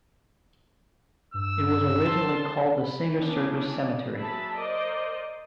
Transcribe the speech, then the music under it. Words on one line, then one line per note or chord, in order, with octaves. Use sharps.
It was originally called the Singer Circus Cemetery.
G2 E6
A#4 A5 C6
B5
E3 A#3 B3 C#4 D4
F#3 A#3 G#4 E5 A5 B5
A#4 C5 D5 D#5